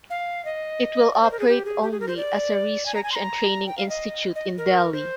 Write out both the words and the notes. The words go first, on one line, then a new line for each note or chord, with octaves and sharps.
It will operate only as a research and training institute in Delhi.
F5
D#5
D5
C5
A#4
G#4
G4
G#4
G4
G#4
A#4
C5
D5
G#5
A#5
G#5
C6
A#5
G5
F5
D#5
D#5
A#4
C5